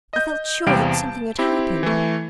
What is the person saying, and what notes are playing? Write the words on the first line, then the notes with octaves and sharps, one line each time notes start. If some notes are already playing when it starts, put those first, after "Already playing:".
I felt sure that something had happened.
D#5 G6
E2 C3 G3 F5 G5 D7
A5
C4 E4 G4
E3 A3